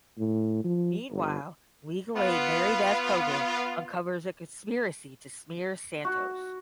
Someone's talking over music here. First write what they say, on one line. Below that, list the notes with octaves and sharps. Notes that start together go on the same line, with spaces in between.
Meanwhile, legal aid Marybeth Cogan uncovers a conspiracy to smear Santos.
A2
F3
G1
B3 F4
F#4